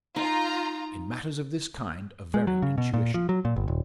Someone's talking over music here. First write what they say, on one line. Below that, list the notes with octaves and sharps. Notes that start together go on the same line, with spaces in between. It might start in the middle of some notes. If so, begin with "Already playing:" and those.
In matters of this kind a very intuition.
D#4 F4 A#5
G#3
F#3
C#3
B2
A#2
F3
F#3
A#2
G1
D#1